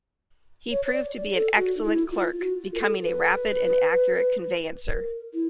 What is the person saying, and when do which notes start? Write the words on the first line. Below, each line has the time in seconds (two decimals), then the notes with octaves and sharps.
He proved to be an excellent clerk, becoming a "rapid and accurate conveyancer".
0.71 C#5
0.85 C#5
0.93 D5
1.35 A4
1.56 F#4
1.77 D#4
1.83 E4
2.12 F4
2.39 F#4
2.61 F4
2.74 A#4
2.81 A4
3.03 B4
4.91 A#4
5.34 E4